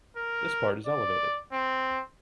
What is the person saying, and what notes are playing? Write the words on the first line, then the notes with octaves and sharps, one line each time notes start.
This part is elevated.
A#4
D5
C4